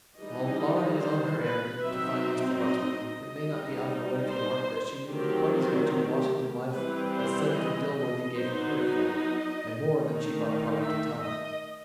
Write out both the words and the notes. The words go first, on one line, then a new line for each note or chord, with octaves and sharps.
While Laura is on her errand to find Mr. Buckstone, it may not be out of the way to remark that she knew quite as much of Washington life as Senator Dilworthy gave her credit for, and more than she thought proper to tell him.
E3 G3 D#4 D#5
C5
B4
F#3 C4 D#4 E5
D#5
D#5
G3 D#4
C5
D#3 F#3 A3 C4 G4
G4
E3 G3 C4 B4
C5
D#5
D#5
F#3 B3 D#4 C5
D#5
D#3 A3 D#4
E5
D#5